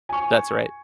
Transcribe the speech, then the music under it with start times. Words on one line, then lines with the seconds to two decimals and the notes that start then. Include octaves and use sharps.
That's right.
0.09 G#5 C#6